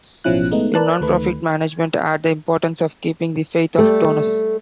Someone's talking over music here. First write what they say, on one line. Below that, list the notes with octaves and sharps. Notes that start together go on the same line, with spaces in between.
In nonprofit management, add the importance of keeping the faith of donors.
A1 B2 F3 C#4 E4 F#6
G#3 A3 B3 D#4
A#4 B4 D5 A5 F#6
D2 D#3 A3 B4
G3 A3 A4 D5